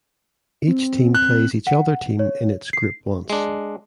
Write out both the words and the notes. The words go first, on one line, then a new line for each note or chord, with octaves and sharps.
Each team plays each other team in its group once.
C4
F#6
F#5
C#5
C7
G#3 D4